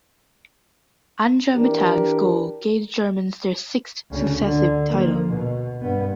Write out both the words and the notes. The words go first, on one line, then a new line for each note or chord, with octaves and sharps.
Anja Mittag's goal gave the Germans their sixth successive title.
E3 D4 G4 A#4
D2 C#3
D3
F3 A#3
B2
G2 B3